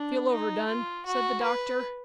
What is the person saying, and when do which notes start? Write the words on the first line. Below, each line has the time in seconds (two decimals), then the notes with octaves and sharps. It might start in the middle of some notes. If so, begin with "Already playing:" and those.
"Feel overdone?" said the doctor.
Already playing: D4
0.31 D#4
0.68 F4
1.06 F#4
1.43 B4